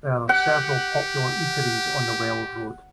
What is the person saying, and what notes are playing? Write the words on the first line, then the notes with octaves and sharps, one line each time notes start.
There are a several popular eateries on the Wells Road.
G4 F#5